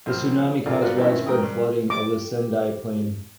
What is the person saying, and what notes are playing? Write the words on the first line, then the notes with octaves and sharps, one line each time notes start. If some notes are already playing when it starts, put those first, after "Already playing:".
The tsunami caused widespread flooding of the Sendai plain.
A#1 C5 F6
D3 C4 F4 G#4 A#4 D5
G3 A#3 B3 D4 F4 F#4
D#3 C4 C#4 E4 G4
G#2 A#4 G5 D#6
G2
G4 D6